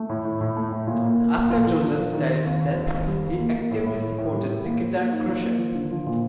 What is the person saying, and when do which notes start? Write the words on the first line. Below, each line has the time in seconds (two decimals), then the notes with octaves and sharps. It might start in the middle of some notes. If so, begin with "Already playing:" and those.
After Joseph Stalin's death, he actively supported Nikita Khrushchev.
Already playing: A3
0.09 A2
0.25 A2
0.41 A2
0.57 A3
0.72 A2
0.87 A#2
1.04 A#3
1.19 A#3
1.35 A#3
1.50 A#2
1.67 F3
1.82 D4
1.98 F3
2.13 D#3
2.29 C4
2.45 D#2
2.61 D#2
2.76 C4
2.92 D#2
3.08 G3
3.24 D#2
3.39 A#3
3.55 A#3
3.71 A2
3.86 A2
4.02 A2
4.18 A2
4.33 G3
4.49 A2
4.65 A#3
4.80 F3
4.96 A#3
5.12 D#4
5.27 F3
5.43 A#3
5.59 F3
5.75 D3
5.91 F3
6.07 A#2